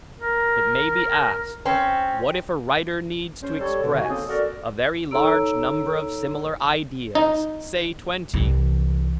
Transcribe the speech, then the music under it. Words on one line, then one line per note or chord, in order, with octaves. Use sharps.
It may be asked, what if a writer needs to express a very large number of similar ideas, say twenty?
A#4
C4 C#4
C#4 C5
G3 A4 C#5
B2 D3
D#4 F#4 G#5
C#3 A#3 C4 A4 C5 D#6
F#4 A4 A#4 D5
D#4 A4 C#5 A#5 E6 D7
D#4
C2 E3